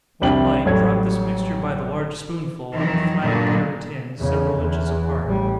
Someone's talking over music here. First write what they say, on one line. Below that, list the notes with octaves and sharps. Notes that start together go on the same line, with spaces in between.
When light, drop this mixture by the large spoonful on to flat, buttered tins, several inches apart.
C2 G3 C4 D4 G5 F#7
A1 F#3 G3 A4 C#5 G#6
F2 D#3 E3 F#3
G2 A#2 D3 F#3 G#3 B3
E2 C#3
E2
A1 G3